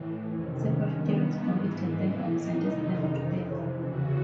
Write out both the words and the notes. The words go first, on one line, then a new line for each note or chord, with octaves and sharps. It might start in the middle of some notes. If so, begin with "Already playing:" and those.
Separate juries convicted them and sentenced them to death.
Already playing: A2 E3
F2 C3 D#3 C#4
C#4
G2 D#3 B3
G#2 E3
A2 E3 A#3
D#4
F2 C3 D#3
F2 C3 E3
E2 C#3 E3 F#4